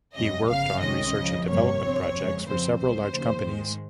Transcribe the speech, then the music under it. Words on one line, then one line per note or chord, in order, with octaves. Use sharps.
He worked on research and development projects for several large companies.
F2 C3 G3 C#4 D#5
G1 F2 C#3 F5
C2 C3 D#3 G#3 C#4 D#5
C#2 C#3 F3
G1 F2 C3 G3 A#3 C#5
G1 G2 F3 C4
F2 C#3 G#3
F2 C#3 F3 C4 C5
C#2 C#3 G3 C5
D#2 C#3 F3
G#2 D#3 G#3